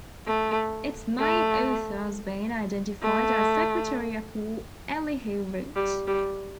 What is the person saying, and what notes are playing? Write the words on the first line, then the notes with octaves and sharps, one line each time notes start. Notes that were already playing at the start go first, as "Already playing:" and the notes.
Its main author has been identified as Secretary of War Elihu Root.
A3
A3
A3
G3
G3